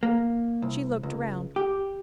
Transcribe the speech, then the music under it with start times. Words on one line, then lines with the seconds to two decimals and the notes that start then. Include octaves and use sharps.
She looked around.
0.03 A#3
0.62 C2
1.03 C#2
1.56 G4